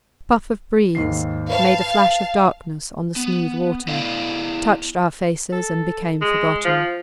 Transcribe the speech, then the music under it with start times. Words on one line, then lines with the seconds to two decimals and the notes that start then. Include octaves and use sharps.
A puff of breeze made a flash of darkness on the smooth water, touched our faces, and became forgotten.
0.95 D#2 G#2 C7
1.50 B4 C5 F5 A5
3.16 B3
3.88 B3 E4 D5 F5
5.52 A4
6.21 G#3
6.65 F3